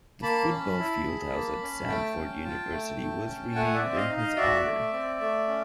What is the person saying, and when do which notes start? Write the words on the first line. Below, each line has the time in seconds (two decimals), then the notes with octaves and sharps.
The football field house at Samford University was renamed in his honor.
0.23 A#3 A5 B5
0.50 C#4
0.79 E4
1.06 G#4
1.33 A#3
1.61 C#4
1.88 A3 G5 A5
2.16 C#4
2.44 F4
2.71 A3
2.99 A3
3.27 C#4
3.55 A3 F#5 G#5
3.74 D5 E5
3.82 C4
3.96 D#5 F5
4.10 D#4
4.17 D#5 F5
4.37 F#4 D5 E5
4.65 A3
4.93 C4
5.20 A3
5.48 C#4